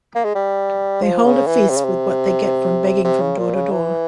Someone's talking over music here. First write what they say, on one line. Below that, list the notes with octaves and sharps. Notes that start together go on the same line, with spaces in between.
They hold a feast with what they get from begging from door to door.
A#3
G#3
G3
F3
C#3
E3
C3
C#3
C3
C3
C#3
A#2
C#3
E3